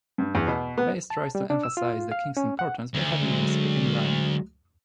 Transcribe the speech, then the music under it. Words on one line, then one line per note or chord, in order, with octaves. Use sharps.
Bayes tries to emphasise the kings' importance by having them speak in rhyme.
G2
E2
B2
B3
A5
G3
D4
E6
F4
F5
C#4
F#5
D2
F#3 G#3